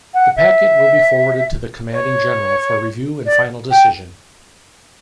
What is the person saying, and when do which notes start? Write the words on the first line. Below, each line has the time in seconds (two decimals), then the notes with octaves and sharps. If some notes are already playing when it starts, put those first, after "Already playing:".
The packet will be forwarded to the Commanding General for review and final decision.
0.14 F#5
0.36 E5
1.92 C#5
3.26 D5
3.71 G5